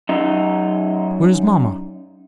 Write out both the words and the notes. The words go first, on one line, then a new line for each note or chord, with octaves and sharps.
Where's mama?'
F#2 D#4